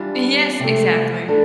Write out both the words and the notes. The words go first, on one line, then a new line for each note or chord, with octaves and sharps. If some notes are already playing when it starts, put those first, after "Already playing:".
Yes, exactly.
Already playing: E3 G3 D4 F4
C3 F3 A3
E3 A3 D4 A4